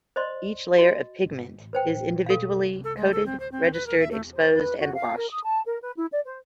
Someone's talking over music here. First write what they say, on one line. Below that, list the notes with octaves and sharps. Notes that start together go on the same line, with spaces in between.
Each layer of pigment is individually coated, registered, exposed and washed.
C5 D5 D#5 C6
F#4 D#5
B4 C5 G5
A4 F5
A4
G#3
A4
C4
C5
C4
B4
A#4
E5
A3
C5
B4
F#4
F5
A#4
D#6
A5
A#4
B4
E4
D5
C5